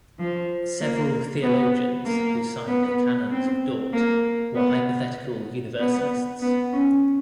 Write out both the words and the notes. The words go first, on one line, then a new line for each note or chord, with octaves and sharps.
Several theologians who signed the Canons of Dort were hypothetical universalists.
F3
A#3
B3
A#3
B3
C4
A#3
B3
B3
B3
C#4